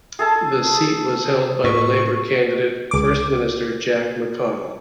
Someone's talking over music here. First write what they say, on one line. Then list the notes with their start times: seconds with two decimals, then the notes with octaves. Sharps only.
The seat was held by the Labour candidate: First Minister Jack McConnell.
0.19 G#4 A4 A5
1.64 A2 C#6
2.91 C#2 D6